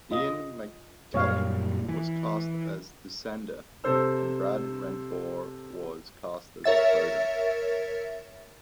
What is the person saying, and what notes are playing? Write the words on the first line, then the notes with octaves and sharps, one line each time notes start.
Ian McKellen was cast as Dussander, and Brad Renfro was cast as Bowden.
F4 D#5
F#2 A#2 G3 C#5 F5
E3
C3 A4 C5 E6
A#4 C#5 E5 A6